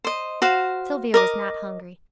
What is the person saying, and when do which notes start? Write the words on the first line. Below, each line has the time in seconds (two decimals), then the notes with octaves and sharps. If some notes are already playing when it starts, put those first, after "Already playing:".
Sylvia was not hungry.
0.04 C5 D#5
0.42 F#4 C5 F5
1.14 A#4 D#5 D6